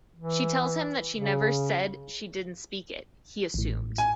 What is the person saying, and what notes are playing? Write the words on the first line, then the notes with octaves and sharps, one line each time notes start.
She tells him that she never said she didn't speak it, he assumed.
E3
C#3
A1 A2
G#5